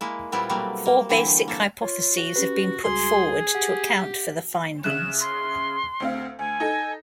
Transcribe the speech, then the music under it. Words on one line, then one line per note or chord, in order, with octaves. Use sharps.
Four basic hypotheses have been put forward to account for the findings.
G#3 A#3 E4
A#2 G3 B3 C4 E4 F4
B2 F#3 G3 A3 A#3 C4
A#3
D3 E3 C4 E4
A#3 A4
F4 C#5
F#4
C#4 G4 B4
C#2 G3 F#4 G#4 C6
G4 F#5
C#3 E5 F#6 E7
C6
D2 C4 F5
D2 G#5
D#4 A4